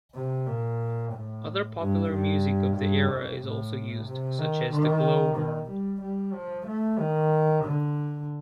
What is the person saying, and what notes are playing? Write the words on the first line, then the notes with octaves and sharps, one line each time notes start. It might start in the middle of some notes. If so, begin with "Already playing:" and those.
Other popular music of the era is also used, such as The Glow-Worm.
C3
A#2
A2
G2
G2
G2
F2
A2
C3
D#3
D#3
D#3
G3
G3
F3
A3
D#3
D3